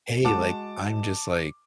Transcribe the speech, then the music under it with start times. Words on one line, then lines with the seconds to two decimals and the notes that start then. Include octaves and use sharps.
hey. Like, I'm just like,
0.25 G#3 F#4 A5 D6